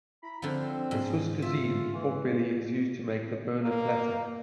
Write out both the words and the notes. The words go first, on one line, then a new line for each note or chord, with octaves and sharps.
In Swiss cuisine, pork belly is used to make the "Berner Platte".
E4 A#5 B5
D3 F3 C4
G#2
F4 E5
E3
A#3